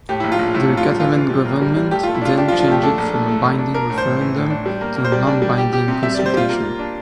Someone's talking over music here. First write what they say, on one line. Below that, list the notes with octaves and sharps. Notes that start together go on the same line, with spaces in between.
The Catalan government then changed it from a binding referendum to a non-binding "consultation".
A2 G4
A#1 E4
F4
A#1
A2 E4
A#1
F4
G3
E3 F4
E3
G3
A#3
G3
G3
A3 G4
A3 F4
E4
D4 F4
D4 G4
F4
F3
F4
A3 G4
D4 A4
A#1
A3
A3
A#1
D4
D4 A#4
A2
C5
E3
E3
A2
D4
G3
A#3
A#3
C5
G3 D5
D4
G3
G4
G4
C3
G3 E5
G3 D5
C5
G3 F4
A#3
A#3
D4